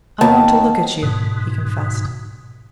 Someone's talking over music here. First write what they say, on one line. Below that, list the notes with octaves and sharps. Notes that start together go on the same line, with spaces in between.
"I want to look at you," he confessed.
D#2 A5
G#2 B2